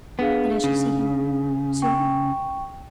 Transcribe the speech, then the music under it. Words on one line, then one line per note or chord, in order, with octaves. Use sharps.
"Then I shall see him ... soon?"
B3 D4 G#4 F5
C#3
G5 C#6